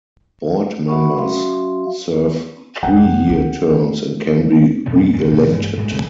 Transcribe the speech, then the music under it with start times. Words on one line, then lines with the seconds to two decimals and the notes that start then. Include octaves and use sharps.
Board members serve three-year terms and can be reelected.
0.88 F#4 E5 F#5 B5 C#6
1.17 F#3 C#4 F#4 E5 F5 C6
2.83 F2 C3 F#5 G5
3.29 D2
4.86 F2 B2 F3 B3
5.13 C#2 F#2 A#2
5.31 B2 A3
5.51 G2 E3 G#3 A#3
5.77 G#2 G3 G#3
5.92 B1 C#3 G#3 C4